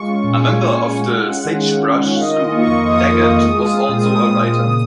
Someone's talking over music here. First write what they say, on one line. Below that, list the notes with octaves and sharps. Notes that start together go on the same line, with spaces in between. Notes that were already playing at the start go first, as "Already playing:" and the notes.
A member of the Sagebrush School, Daggett was also a writer.
Already playing: G#3 F4 C#6
C#4
A#2
G#3 G#5
F4
C#4 G#5
A#2
G#3 F#5
F4
C#4
D#3
G#3
F4
C#4
D#3
F5
D#3 D#5
F4
A#3 C#6
F2
D#3 D#6
F4
A#3
F2
G#3
F4
C4
A#2
G#3 D#6
F4
C4
A#2
C#3